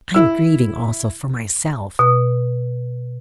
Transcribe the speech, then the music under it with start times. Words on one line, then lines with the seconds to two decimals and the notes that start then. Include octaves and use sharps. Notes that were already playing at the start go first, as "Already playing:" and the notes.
I am grieving also for myself.
0.14 E4 E6
1.99 B2